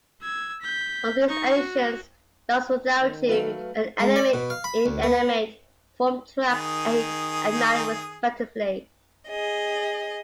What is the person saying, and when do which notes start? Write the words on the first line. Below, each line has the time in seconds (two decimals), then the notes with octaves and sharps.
On these editions, "Lost Without You" and "Animate-Inanimate" form tracks eight and nine respectively.
0.22 E6 G#6
0.62 G6 B6
1.28 D#4 C#6
1.57 F#4
2.99 D#3
3.29 F#3 A3 B4 F5
4.00 G#3
4.16 D5
4.34 B2
4.50 F5
4.64 B5
4.86 D2
5.03 B3
6.49 D#3 G#4 D#6
9.29 G#4 D#5